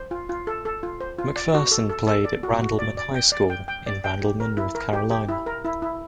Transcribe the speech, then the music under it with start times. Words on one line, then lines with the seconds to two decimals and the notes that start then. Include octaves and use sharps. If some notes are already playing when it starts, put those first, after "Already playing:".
McPherson played at Randleman High School in Randleman, North Carolina.
Already playing: C5
0.11 F4
0.29 F4
0.47 A4
0.65 A4
0.83 F4
1.01 C5
1.19 F4
1.36 D5
1.54 F#4
1.71 A4
1.90 A4
2.07 A4
2.25 D5
2.43 F#4
2.62 F#4
2.79 D5
2.97 D5
3.14 G5
3.32 D5
3.50 G5
3.68 G5
3.86 D5
4.04 G5
4.22 G4
4.40 A#4
4.57 E4
4.75 A#4
4.93 G4
5.11 G4
5.28 E4
5.46 A#4
5.65 E4
5.82 E4